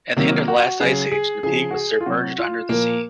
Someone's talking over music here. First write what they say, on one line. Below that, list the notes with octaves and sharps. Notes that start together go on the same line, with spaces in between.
At the end of the last ice age, Napeague was submerged under the sea.
C3 D#3 F#3 A#3
F#4
C#3 F#3 G#4
G#4
C#3 F3 G#4
F#4
G#4
F4
C3 F#3 F#4
F4
A#2 F3 A#3